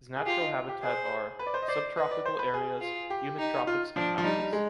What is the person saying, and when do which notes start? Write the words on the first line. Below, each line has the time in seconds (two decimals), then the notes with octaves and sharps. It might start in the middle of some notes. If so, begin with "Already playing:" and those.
His natural habitat are: subtropical areas, humid tropics and mountains.
0.16 G#4
0.26 F4 G4
0.40 D#4
0.69 G4
0.83 G#4 C5
1.39 B4
1.47 D5
1.54 C5
1.62 D#5
1.68 C5 D5
1.97 B4 D#5
2.11 D5
2.25 C5
2.39 B4
2.54 G#4
2.82 F4
3.10 G4
3.39 D#4
3.67 F4
3.96 F3 D4
4.18 F3
4.24 G3 D#4
4.39 G3
4.53 G#3